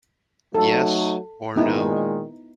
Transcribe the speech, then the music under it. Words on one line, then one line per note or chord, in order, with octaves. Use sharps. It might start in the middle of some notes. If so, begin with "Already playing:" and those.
Yes or No?
F#3 A3 D#4 A4
A#2 D#3 G#3 B3 D#4 E4